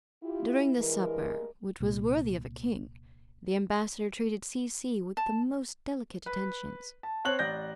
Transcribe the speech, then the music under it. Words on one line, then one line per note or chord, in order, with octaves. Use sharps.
During the supper, which was worthy of a king, the ambassador treated C- --- C---- with the most delicate attentions.
E4 F4 G4
G2 E3 G#3 A#4
C2 A#2
A5
B4
A5
C4 C#5 F#6 F#7
A1 D5 G6 A#6